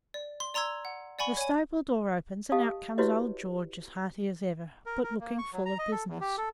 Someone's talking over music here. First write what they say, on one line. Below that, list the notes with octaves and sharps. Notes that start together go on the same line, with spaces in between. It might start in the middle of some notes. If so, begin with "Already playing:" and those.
The stable door opens, and out comes old George as hearty as ever, but looking full of business.
D5
C6
D5 A#5 C6 E6 G#6
F#5
D5 F#5 G#5 B5 C#6
C#5 G#5
G4 D#5 F5 A5 D#6
E4 F#4 G4 B4 C#5 D#5
A#4
A#4
A#3
C#6
F#3
A#5
D#5
A4
E2
G4
A4